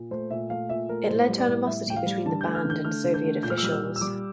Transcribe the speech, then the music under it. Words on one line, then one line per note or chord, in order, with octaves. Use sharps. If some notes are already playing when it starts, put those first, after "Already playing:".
It led to animosity between the band and Soviet officials.
Already playing: A#2
A3 C5
A#2 E5
A3 F5
A#2 E5
A3 A#4
A2 C5
G3
D5
A2
G3 E5
A2 G5
F5
G3
D3 A5
A3 G6
F6
D3 G6
A3 F6
D3
G6
A3
A#2 G6
F6
E6
G3 F6
E6
A#2
E6
G3 D6